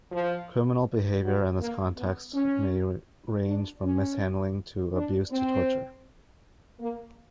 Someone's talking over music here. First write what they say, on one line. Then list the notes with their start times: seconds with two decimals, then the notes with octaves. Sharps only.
Criminal behavior in this context may range from mishandling to abuse to torture.
0.11 F3
1.22 F#3
1.60 A#3
1.97 B3
2.34 C#4
3.46 D4
3.83 C#4
4.94 D4
5.31 C4
6.80 A#3